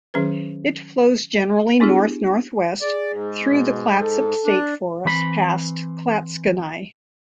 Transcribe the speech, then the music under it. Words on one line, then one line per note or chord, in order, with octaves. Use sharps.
It flows generally north-northwest through the Clatsop State Forest, past Clatskanie.
D#3 F#3 C#4 G#4 B4
B3 D4 E4 G4 G#4
G#4 D5
G#2
B2
A4
D4
E3 C4 B5